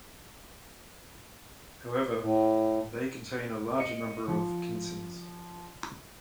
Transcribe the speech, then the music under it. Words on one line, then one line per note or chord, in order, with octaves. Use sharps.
However, they contain a larger number of different kinesins.
A2
D#5 C#7
F3 F4